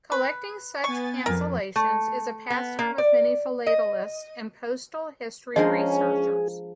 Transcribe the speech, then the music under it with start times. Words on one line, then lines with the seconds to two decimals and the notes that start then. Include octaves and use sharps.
Collecting such cancellations is a pastime of many philatelists and postal history researchers.
0.12 B4
0.84 B3 G#5 C#6 A6
1.26 F2 A#4
1.76 A3
2.50 B3
2.79 A#3
2.98 D5
3.67 D#5
5.56 F3 G#3 C#4 D4 G#4 A#4 D#5